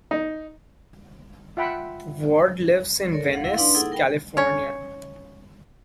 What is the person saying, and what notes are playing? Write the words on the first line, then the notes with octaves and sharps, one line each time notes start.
Ward lives in Venice, California.
D#4
F4 E5 F#5 G5 B5
A4 A#4 C#5 D5
F5 F#5
E4 F5
D4 D#4 B4 D5 C6 D6
A#3 D#4 E4 G#4 A4 F#5
A#4 G5 B5
C#4 C#5